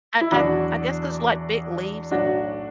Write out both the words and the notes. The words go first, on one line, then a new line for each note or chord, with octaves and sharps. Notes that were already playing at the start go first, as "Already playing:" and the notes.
I I I guess 'cause, like, big leaves and
E4
E2 B2 F#3 D4 F#4
B1 A2 F#3 D4 F#4